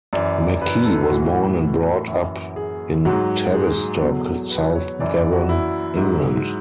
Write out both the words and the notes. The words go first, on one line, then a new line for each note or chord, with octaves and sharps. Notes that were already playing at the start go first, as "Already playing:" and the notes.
McKee was born and brought up in Tavistock, South Devon, England.
F#2 E3 D5
B4
A4
A2 E3 F#4
F#4
F#2 E3
G#4
G#2 F#3 F#4
G#4
E2 B2 F#3 A4
B4
C#5
F#2 E3 D5
D5
F#4
E4
G#2 F#3